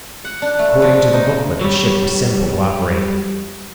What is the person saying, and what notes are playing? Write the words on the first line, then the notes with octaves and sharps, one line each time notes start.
According to the booklet, the ship was simple to operate.
F#5
D4
A3
F3
D#4
F#3 G3